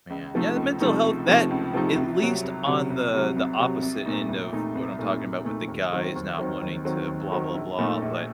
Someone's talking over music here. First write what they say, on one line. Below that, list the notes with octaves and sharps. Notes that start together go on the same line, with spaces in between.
Man, yeah, the mental health that at least on the the opposite end of what I'm talking about with the guys not wanting to blah, blah, blah, but
C#2
C3 F3 A3 D#4
C#2
C3 F3 A3 D#4
C#2
C3 F3 A3 D#4
C#2
C3 F3 A3 D#4
C2
C3 F#3
C2
C3 F#3
C2
C3 F#3
C2
C3 F#3
C2
A#2 A3 D#4
C2
A#2 A3 D#4
C2
A#2 A3 D#4
C2
A#2 A3 D#4
D#2
D#3 F#3 C4
D#2
D#3 F#3 C4
D#2
D#3 F#3 C4
D#2
D#3 F#3 C4
A#1
A#2 A3 D#4
A#1